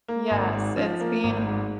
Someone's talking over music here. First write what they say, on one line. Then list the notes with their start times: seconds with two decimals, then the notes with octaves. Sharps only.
Yes, it's being
0.08 A#3
0.31 G#1
0.54 G#2
0.77 F3
1.01 A#3
1.24 G#1
1.47 G#2